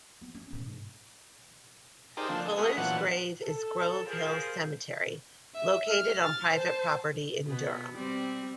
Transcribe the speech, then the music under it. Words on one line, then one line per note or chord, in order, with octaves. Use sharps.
Fuller's grave is Grove Hill Cemetery, located on private property in Durham.
B3
C#4
E1 A2
G#2
D#4 G4 G#4 A#4 C5 D5
D3 F3 A#3 D4
G#4 A4
G#3 A3 B3 F#4 G#4 A#4
A#2 E3 F#3 B3 D4 F#5
A4
F3 G3 F4 G#4 A#4 C5
E5
F6
F6 A6
C5 A5
B2 B3
G3 C4